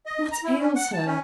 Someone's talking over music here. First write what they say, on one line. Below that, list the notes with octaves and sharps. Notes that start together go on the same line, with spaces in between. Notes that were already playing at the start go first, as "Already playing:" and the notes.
"What ails her?"
D#5
A#5
E4
C#4
F#5
A5
C#4